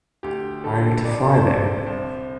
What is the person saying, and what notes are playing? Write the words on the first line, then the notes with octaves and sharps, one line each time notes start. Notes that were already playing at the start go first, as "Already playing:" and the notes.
I'm to fly there.
D2 G4
D3 A4
F2 D5
A4
C5
D3 D5
C2 C5